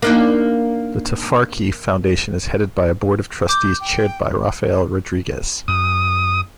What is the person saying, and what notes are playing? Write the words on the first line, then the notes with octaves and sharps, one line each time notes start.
The Tafarki Foundation is headed by a board of trustees chaired by Rafael Rodriguez.
A#3 D4 D#4
D6 G6
G5
F#2 D#6